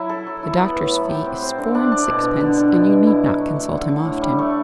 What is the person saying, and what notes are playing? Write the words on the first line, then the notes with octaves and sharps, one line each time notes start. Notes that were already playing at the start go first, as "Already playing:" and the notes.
The doctor's fee is four and sixpence, and you need not consult him often.
Already playing: F#3 E4
A4
F#3
E4
B3
A2
F#3
G4
C4
C4
D3
D4
D4
B2
B2
D3
D3
B2
B2
E4
F#3
A3
D4
D3
D3
A2
G3
A3